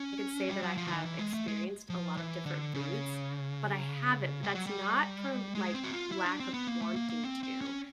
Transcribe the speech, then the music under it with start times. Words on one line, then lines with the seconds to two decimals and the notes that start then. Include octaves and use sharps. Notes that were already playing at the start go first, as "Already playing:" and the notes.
I could say that I have experienced a lot of different foods, but I haven't, but that's not for, like, lack of wanting to,
Already playing: C#4
0.49 G3
0.63 F#3
0.78 F3
0.87 E3
0.91 D#3
1.05 E3
1.19 G#3
1.34 A3
1.48 G#3
1.90 F3
2.17 E3
2.46 D3
2.74 C#3
4.43 G3
4.55 F#3
4.67 G3
5.55 G#3
5.74 C4
5.84 F#4
5.93 F4
6.12 E4
6.25 D4
6.40 C4
6.54 B3
6.67 A#3
6.82 A3
6.96 A#3
7.10 A#3
7.24 C4
7.43 C4
7.61 C#4